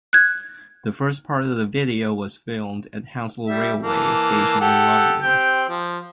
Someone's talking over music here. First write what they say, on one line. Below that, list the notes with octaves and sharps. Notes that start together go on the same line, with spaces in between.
The first part of the video was filmed at Hounslow railway station in London.
F#6 G#6
G3 E5
E3 A#3 A5
G4 A4 F#5
C4 G4 G5
F3